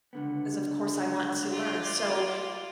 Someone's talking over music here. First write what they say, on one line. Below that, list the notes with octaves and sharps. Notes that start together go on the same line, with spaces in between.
of course, I want to learn, so,
C#2 D3 B3
F4 D5